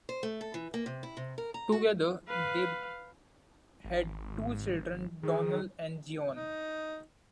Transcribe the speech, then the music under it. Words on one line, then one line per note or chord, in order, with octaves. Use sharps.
Together they had two children, Donald and Joan.
C5
A3
A4
E3
A#3
C3
E4
C3
A#4
A#5
F#4
B4 F5
G#1
D#3 G#4
D#4